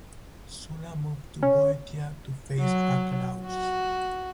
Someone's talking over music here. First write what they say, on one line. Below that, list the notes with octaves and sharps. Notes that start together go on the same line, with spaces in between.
Sulla moved to Boeotia to face Archelaus.
C#4
F#3
F#4